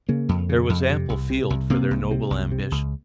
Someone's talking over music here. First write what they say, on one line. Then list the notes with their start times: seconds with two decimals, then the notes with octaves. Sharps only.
There was ample field for their noble ambition.
0.09 C#3 A#3
0.29 F2
0.49 C#3
0.70 F2
0.89 C3
1.09 C2
1.30 C3
1.50 C2
1.70 C3 A#3
1.91 C2
2.11 C3
2.30 C2
2.51 C3
2.72 C#2